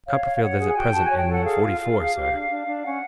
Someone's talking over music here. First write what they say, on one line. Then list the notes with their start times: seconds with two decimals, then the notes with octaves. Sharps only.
Copperfield is at present in forty-four, sir.'
0.07 C#5 F5
0.25 C#5
0.37 F5
0.42 C#5 F#5
0.59 G#4
0.68 G#5
0.76 F#4 G5
0.92 F#4 A5
1.05 G#5
1.11 C#5
1.19 G5
1.28 A4 F#5
1.45 G#4 F5
1.63 F4
1.80 F4
1.98 G#4
2.15 G4
2.31 D4
2.50 D4
2.67 D4
2.84 C#4 F#5